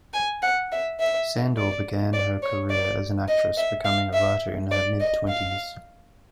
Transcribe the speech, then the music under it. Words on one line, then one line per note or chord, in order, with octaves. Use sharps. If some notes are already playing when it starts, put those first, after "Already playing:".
Sandor began her career as an actress, becoming a writer in her mid-twenties.
G#5
F#5
E5
E5
D5
D5
C#5
D5
D#5
E5
F5
E5
D5
D#5
F5